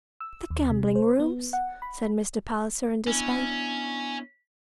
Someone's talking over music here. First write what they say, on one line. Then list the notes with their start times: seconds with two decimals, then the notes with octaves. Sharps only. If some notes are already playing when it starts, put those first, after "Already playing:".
"The gambling-rooms!" said Mr. Palliser in dismay.
0.20 E6
0.50 D#2
0.70 C3
0.95 C5
1.20 B3
1.53 F#5
1.82 B5
3.07 B3 C#4 D4 E4